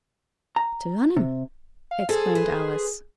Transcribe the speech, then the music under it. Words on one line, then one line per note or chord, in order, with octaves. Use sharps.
'To Lunnon!' exclaimed Alice.
A#5
C3
F5
G#4 A4 C5
B4 C5